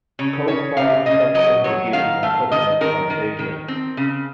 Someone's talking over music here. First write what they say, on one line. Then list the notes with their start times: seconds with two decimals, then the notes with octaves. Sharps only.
Copra production begins on coconut plantations.
0.19 C#3 C#5
0.48 C#3 C#5
0.77 C#3 F5
1.06 C#3 D#5
1.35 F#3 D#5
1.64 F#3 C#5
1.93 D#3 F5
2.23 A3 F5
2.52 D#3 D#5
2.81 D#3 A#4
3.10 D#3
3.39 D#3
3.68 C4
3.97 C#3